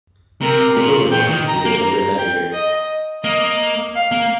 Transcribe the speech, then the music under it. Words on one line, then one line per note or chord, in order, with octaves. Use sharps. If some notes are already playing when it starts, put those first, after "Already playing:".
The building was completed later that year.
C3 A#4
A#2
A#2 G5
D#3
A#5
A#3
A#5
G5
D#5
A#3 D#5
F5
A#3